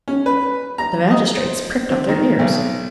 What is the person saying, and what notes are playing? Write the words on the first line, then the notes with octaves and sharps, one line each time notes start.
The magistrates pricked up their ears.
C#4
B4
A#5
D#5
C5
C4
D#3
B1